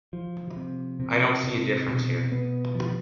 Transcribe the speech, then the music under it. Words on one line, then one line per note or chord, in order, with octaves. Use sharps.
I don't see the difference here.
F3
C3
C3
C3
B2
B3
F3